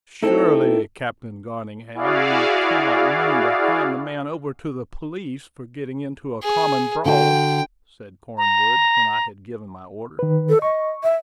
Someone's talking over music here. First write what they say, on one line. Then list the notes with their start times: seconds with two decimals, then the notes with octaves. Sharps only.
"Surely, Captain Garningham, you cannot mean to hand the man over to the police for getting into a common brawl," said Cornwood, when I had given my order.
0.23 A3 C4 D#4 E4 G4 A4
1.94 E4 F#4 G#4 D5 F5
6.43 G#4
7.05 D3 F#4 G5
8.37 A#5
10.19 D#3 B4
10.49 A4
10.62 D#5 C#6
11.03 E5